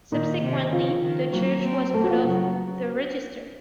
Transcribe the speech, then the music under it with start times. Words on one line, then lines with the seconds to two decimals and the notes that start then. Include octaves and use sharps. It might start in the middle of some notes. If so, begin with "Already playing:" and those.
Subsequently, the Church was put off the register.
0.12 A#2 D#3 D#4
0.42 C3
0.73 C#3 F3 F4
1.03 D#3
1.33 F#3 A#3 F#4
1.64 C4
1.94 A3 A#3 A4
2.04 F#4
2.09 F3 F4
2.24 C#3 F#3 F#4